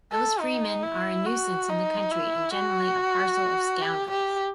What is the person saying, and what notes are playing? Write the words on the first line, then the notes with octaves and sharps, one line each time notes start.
Those freemen are a nuisance in the Country and generally a parcel of scoundrels.
A4
D#4
E4
F#4
D#4
E4
F#4
G4
G4